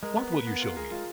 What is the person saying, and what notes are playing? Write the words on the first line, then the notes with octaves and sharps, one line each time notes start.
What will you show me?'
G#3 A#4
B3
B4
B3
F4 A#4
G#4 A#4
G#3 F4